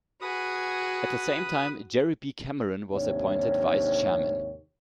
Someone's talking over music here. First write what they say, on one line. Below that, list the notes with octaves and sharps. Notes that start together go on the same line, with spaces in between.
At the same time, Gerry B. Cameron was appointed vice chairman.
F#4 G#4 B4 D#6
D#2 G#2 C3 D4 C#5